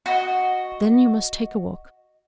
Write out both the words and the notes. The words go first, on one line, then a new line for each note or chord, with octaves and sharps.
Then you must take a walk.
F#4 D#5